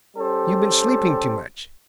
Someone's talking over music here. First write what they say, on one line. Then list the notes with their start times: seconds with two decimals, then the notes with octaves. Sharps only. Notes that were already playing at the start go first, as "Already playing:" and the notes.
You've been sleeping too much.
0.16 G3 C#4 G4 A4 C5